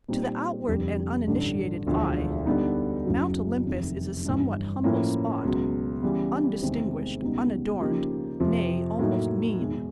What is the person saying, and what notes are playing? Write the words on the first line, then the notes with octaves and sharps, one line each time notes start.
To the outward and uninitiated eye, Mount Olympus is a somewhat humble spot,--undistinguished, unadorned,--nay, almost mean.
A#2 G3 C4 D#4
F1 F2 D3 G3
A1 G2 D3
E1 D2 D3 F3
D3 G3 B3 D#4
F#1 F#2 C#3 F#3
F1 F2 C3 D#3
G1 G2 E3
A2 F3 A#3 C#4 E4
C#2 B2 F#3
C#3 E3 G3 B3
E2 C3 D#3 G#3 C4
C#2 B2 G3 B3 D#4
C#3 F3 A#3 D#4 G4
F2 C3 F3
A2 F#3 A#3 D#4
E2 B2 G#3